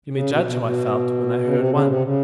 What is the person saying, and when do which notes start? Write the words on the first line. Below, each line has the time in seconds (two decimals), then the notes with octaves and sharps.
You may judge how I felt, when I heard one!
0.14 C#3
0.30 B2
0.44 B2
0.61 B2
1.44 C#3
1.54 C3
1.71 C#3
1.86 C3
2.02 C#3